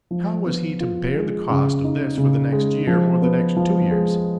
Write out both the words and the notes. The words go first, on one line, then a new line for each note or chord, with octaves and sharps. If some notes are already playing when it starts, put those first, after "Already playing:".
But how was he to bear the cost of this for the next year, or the next two years?
F3
B3
F4
G#3
C#3
D#4
C#3
G#3
F3
B3
F3
G#3